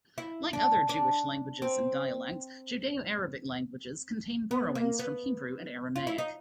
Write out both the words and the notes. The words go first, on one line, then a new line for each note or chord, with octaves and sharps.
Like other Jewish languages and dialects, Judeo-Arabic languages contain borrowings from Hebrew and Aramaic.
E4
D4
D4
C4
B3
A#3
B3
F4
E4
D#4